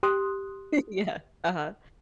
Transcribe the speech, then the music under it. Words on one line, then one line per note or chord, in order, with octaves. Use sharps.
yeah, uh-huh.
G4 C6 D#6 F#6